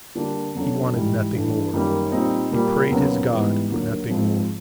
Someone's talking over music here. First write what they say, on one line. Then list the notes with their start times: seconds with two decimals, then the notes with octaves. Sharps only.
He wanted nothing more, He prayed his God for nothing more.
0.15 D3 G3 A#3 D4
0.55 E2 C#3 F#3 A3 D4
0.93 G#2 E3 G3
1.33 G2 E3 A3 D4
1.73 F#2 D#3 G3 A#3
2.11 A#2 G3 C4 D#4
2.51 A#2 G3 A#3
2.90 D#2 C#3 F#3 B3
3.30 G#2 E3 G3 B3
3.70 D#2 D3 F#3 A#3
4.09 G#2 F3 G#3 C4